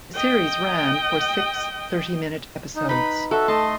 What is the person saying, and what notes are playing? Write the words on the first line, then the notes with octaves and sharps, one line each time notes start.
The series ran for six thirty-minute episodes.
D#5 G5
D#4
D#4 B4 B5
F#4 A4 E5
A3 D#5 A5 C6